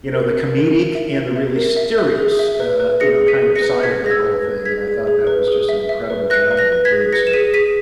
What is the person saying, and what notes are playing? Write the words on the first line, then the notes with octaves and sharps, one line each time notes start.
you know, the comedic and the really serious, uh, you know, kind of side of that whole thing, and I thought that was just an incredible job that he did, so.
A#4
A#4
A#4
A#4
E5
E5
E5
A#4
E5
E5
G#4
E5
B4
B4
G#4 A#6 C#7
G#4
B6 D#7
G#4
A#6 C#7
B4
B4 G#6 B6
G#4 A#6
E6 G#6
B4
B4
G#4 G#6 B6
G#4
G#4
B4
G#4
E5
E5
B4
B4 F#6 A#6
B4
F#6 A#6
B4
G#6 B6
G#4
B4 A#6 C#7
E7
G#4 B6 D#7
G#4 B6 D#7